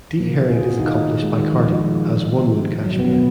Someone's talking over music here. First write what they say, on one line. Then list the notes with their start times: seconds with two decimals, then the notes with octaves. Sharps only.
Dehairing is accomplished by carding as one would cashmere.
0.20 A#2 A#3
0.50 G#4
0.60 F#4
0.70 F4
0.79 D#3 D#4
1.23 G#3
1.38 D#3
1.52 F3
1.66 F3
2.84 F#3
2.98 B2 B3
3.12 B2 B3